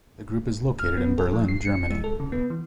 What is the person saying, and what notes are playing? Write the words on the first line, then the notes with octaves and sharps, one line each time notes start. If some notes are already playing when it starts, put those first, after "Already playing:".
The group is located in Berlin, Germany.
F6
B3
A4
F3
C7
C#7
G#3
A4
C#3
B3
E3